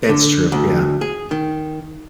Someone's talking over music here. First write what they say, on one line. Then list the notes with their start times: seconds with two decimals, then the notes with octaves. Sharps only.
That's true, yeah.
0.09 D3
0.52 D2
1.01 G#4
1.31 D#3